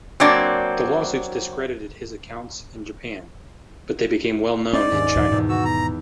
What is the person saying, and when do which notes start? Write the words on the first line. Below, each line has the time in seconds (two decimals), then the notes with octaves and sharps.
The lawsuits discredited his accounts in Japan, but they became well known in China.
0.20 F#3 A#3 C4 D4 D5
4.73 C#4 C5 D5 D#5
4.91 D#2 G#2
5.16 D2 A#2 F3
5.31 E2 G#2 B2
5.49 B3 F#4 E6
5.64 A#5